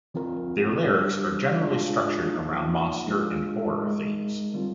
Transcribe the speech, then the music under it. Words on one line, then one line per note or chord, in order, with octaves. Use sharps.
Their lyrics are generally structured around monster and horror themes.
D3 F3 C4 F4 A#4
G3 D4 G4
G#3 D4 F4 G#4
F3 A#3 D#4
G#3 D4 F4 G#4
G#3 D#4 A#4
D3 G3 C4 F4